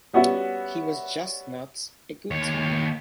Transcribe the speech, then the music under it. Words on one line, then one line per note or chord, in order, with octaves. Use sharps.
He was just not a good time.
G3 B3 C#4 F#4 E5
D#2 C#5